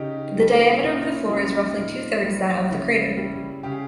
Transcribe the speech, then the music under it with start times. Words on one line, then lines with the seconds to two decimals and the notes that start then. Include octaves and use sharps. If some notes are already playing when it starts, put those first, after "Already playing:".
The diameter of the floor is roughly two-thirds that of the crater.
Already playing: C#3 D#4 G4
0.36 E3 G3
0.82 A#2 C#4 E4
1.06 C#4 E4
1.29 G3 C#4 E4
1.53 D#4
1.76 A#2
2.23 G3
2.70 C#3 C#4 E4
3.17 G3
3.63 C#3 G4
3.71 G#4